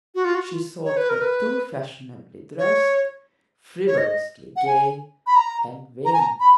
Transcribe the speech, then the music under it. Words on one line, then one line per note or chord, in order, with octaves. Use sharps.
She thought her too fashionably dressed, frivolously gay and vain.
F#4
F4
F#4
F4
C#5
B4
A#4
B4
C#5
C#5
D#5
F#5
G#5
B5
A#5
A#5
G#5
A#5
B5